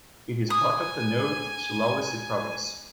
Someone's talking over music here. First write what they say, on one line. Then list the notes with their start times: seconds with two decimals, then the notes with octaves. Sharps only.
It is part of the North Sulawesi province.
0.50 G#5 D#6